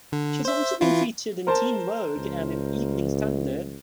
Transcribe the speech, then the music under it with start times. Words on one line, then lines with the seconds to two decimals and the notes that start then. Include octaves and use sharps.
She has also been featured in "Teen Vogue" and in "Evening Standard".
0.12 D3
0.45 C5 E5
0.81 E3 E4 F4
1.47 A#4 C5 A5
2.17 C#2